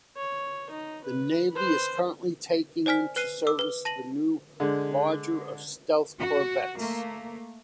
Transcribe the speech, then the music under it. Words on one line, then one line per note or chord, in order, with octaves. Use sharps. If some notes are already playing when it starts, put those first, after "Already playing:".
The Navy is currently taking into service the new, larger, of stealth corvettes.
C#5
D#4
B4
B4 C5
C5 D5 G#5 F6 B6
B4 F#6 C7 D#7
D6 E6
B4 G7
A5 A#6 D#7 F#7
D3 G#3
F#4
A3 A#3